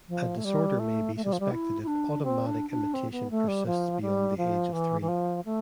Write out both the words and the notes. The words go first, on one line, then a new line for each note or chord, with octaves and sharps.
A disorder may be suspected if automatic imitation persists beyond the age of three.
F3
A3
G3
A3
A3
G3
F3
G3
E4
E4
D4
C4
D4
D4
C4
B3
A3
G3
F3
G3
F3
E3
E3
F3
A3